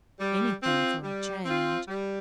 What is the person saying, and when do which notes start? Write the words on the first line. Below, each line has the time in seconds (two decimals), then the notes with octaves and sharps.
Anything for a change.
0.19 G3
0.61 C4 F4
1.03 G3
1.45 C4 F4
1.88 G3